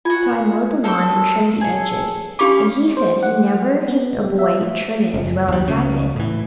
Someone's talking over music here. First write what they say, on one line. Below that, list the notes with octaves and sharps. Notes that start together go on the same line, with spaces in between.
So I mowed the lawn and trimmed the edges, and he said he never had a boy trim it as well as I did.
F4 F#4 G#5
A4 A#4 C5
G#4 A4
C#4 D4 F4 G4 B5 D6
C5
F#5
F#3
B3
G4
E5
F#1
D#2 G3
C#2 C#3
A2 E3